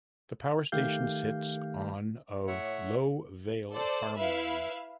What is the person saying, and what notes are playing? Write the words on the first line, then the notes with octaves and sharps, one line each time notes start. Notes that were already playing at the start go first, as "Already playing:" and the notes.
The power station sits on of "low vale farmland".
D#3 A3 G4 F5 G6
A2 C#5 E5 F#5
A4 C5 D5
E4 B4 E5 F5